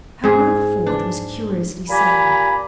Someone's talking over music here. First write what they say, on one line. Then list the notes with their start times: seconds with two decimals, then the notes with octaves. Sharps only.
Her move forward was curiously sudden.
0.24 G#2 G#4
0.87 D4
1.89 A#2 G4 G#5 A#5 B5